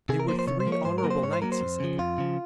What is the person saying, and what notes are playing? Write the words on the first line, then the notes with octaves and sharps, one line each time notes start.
'They were three honourable knights,' he said.
C3 G#4
A#4
F3 A#3 C5
C5
C3 C#5
C5
F3 A#3
C#5
G#2 C5
A#4
F#3 A#3
C5
G#2 C#5
C5
F#3 A#3 A#4
C5
F2
C#3 F3
F2 F4
C#3 F3